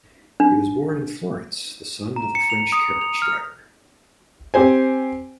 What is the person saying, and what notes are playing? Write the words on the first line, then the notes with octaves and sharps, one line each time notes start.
He was born in Florence, the son of a French carriage driver.
D4
A#5
C#7
F7
D#6
F7
F6
C4 G4 C5 G#5